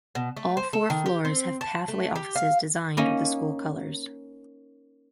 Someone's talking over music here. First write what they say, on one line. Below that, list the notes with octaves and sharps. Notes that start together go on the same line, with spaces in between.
All four floors have pathway offices designed with the school colors.
B2
A3
C5
A4
D#3
G4
C4
A5
A3
G4
F5
A#3 C#4 D#4